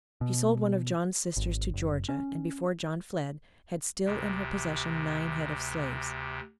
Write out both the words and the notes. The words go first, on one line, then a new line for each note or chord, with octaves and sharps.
She sold one of John's sisters to Georgia, and before John fled, had still in her possession nine head of slaves.
B2
G#1
F#1
C#4
D2 C3